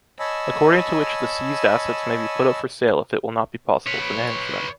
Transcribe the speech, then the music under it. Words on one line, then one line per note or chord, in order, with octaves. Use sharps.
According to which the seized assets may be put up for sale if it will not be possible to manage them.
C#5 D#5 G#5 A5 B5 E6
B4 C#5